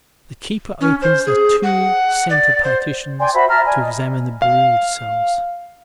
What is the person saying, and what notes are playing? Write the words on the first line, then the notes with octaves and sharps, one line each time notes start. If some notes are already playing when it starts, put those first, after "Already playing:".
The keeper opens the two center partitions to examine the brood cells.
C#4
C5
G#4
F#5
D5
C5
D5 G5 G#5 C6
F#4 C5 E5 B5
E5 A5 A#5 F6
D5 G#5
D#5
F5